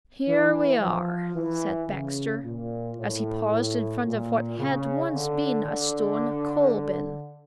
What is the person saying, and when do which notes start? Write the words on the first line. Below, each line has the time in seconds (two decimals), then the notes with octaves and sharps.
"Here we are," said Baxter, as he paused in front of what had once been a stone coal bin.
0.28 E3
0.81 F3
1.35 E3
1.89 C#3
2.43 A#2
2.97 A2
3.51 A2
4.06 A#2
4.59 C#3
5.13 D3
5.66 D3